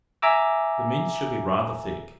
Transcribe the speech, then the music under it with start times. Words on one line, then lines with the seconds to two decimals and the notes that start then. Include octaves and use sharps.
The mince should be rather thick.
0.22 E5 G#5 A#5 D6 E6